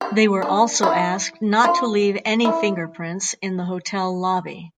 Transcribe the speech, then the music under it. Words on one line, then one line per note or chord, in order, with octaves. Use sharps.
They were also asked not to leave any fingerprints in the hotel lobby.
G4
D4
E4
F4
E4